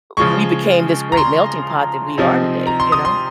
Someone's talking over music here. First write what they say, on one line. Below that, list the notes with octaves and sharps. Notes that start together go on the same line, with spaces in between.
we became this great melting pot that we are today, you know?
C#3 F3 G#3 C#6
A#5
C6
C3 F3 C4 D#4
A#5
C6
D#6
C6